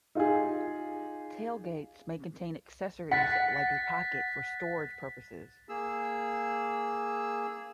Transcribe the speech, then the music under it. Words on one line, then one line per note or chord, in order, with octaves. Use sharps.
Tailgates may contain accessories like a "pocket" for storage purposes.
D#4 F4 G4 G#4
F#5 F#6 A6 B6
A#3 G#4 E6